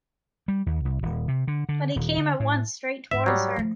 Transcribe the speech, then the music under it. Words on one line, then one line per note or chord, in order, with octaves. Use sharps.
But he came at once straight towards her.
G3
D#2
C2
D#1
C3
D3
D3
D#1
D3
A2
G#2 F4 E5
F#3 G3
F3 A3